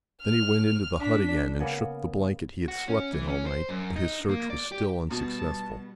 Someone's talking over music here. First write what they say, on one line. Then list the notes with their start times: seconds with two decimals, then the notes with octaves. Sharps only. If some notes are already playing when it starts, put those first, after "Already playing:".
Then he went into the hut again, and shook the blanket he had slept in all night, but his search was still unsuccessful.
0.23 F6
0.99 D4 B6
1.60 C#3 A#3 B3
2.68 F#4
2.88 C#4
3.13 E3
3.28 C#4
3.46 C5
3.69 F#2
3.96 D#4
4.29 A#3
4.50 D5
4.72 G4
5.11 B2 G3 B3 A5